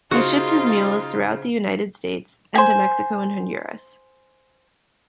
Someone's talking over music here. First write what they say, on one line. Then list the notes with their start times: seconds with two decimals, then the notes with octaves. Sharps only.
He shipped his mules throughout the United States, and to Mexico and Honduras.
0.11 C#3 D#4 F4 F#4 C5
2.55 C5 G#5